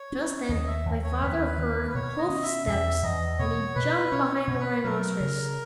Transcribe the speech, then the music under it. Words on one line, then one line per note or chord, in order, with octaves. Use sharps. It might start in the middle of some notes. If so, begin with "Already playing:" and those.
Just then my father heard hoofsteps and he jumped behind the rhinoceros.
Already playing: C#5
C#4
D#2 D#5
E5
D#2
C#5
D#2 B4
D#3
B4
B2 C#5
D#5
C#4
E5
E2 E5
E2 D#5
B2 C#5
B2 B4
C#4 C#5
C#5
B2
B4
F#3 A#4
C#3